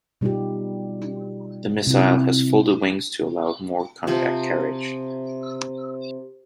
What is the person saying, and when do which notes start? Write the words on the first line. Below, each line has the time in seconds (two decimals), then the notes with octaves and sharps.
The missile has folded wings to allow more compact carriage.
0.21 B2 G3 D#4 F4 G4
1.87 C3 E4
4.07 C3 F3 C4